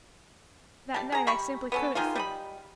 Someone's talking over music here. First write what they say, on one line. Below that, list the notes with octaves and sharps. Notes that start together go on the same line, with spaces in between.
That night I simply couldn't sleep.
G3 A5
G#4 A#5
G3 B5 C#6
B3 C#4 A4
D#3 G#3 A#3 F4
G3 D#5 B5